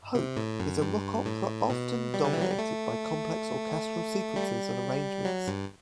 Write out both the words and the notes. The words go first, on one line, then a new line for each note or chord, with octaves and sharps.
"Hope" is a rock opera often dominated by complex orchestral sequences and arrangements.
C3
A2
F#2
G2
A2
B2
G3
D3
E3
F#3
G3
A3
G3
F#3
G2